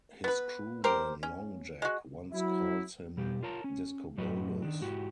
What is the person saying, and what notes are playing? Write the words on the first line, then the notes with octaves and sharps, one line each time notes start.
His crewman 'Long Jack' once calls him "Discobolus".
B3 B4
G4 A#4 C5
C#4
G#3 F#4
F#3 E4
B2 G3 G4
F4 A#4 C#5 A5 A#5
C#4
F#2 A2 F#3 F#4 B4 D#5
D#3 D4
G#2 E4 F#4 G4